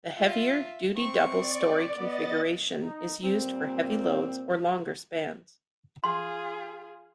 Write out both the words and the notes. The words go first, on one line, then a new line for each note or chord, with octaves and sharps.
The heavier duty double-storey configuration is used for heavy loads or longer spans.
F4 E5
C4 C#6
D5
B3 D#5 A6
D#4
A#2 G3 C4
F4 G#4 C6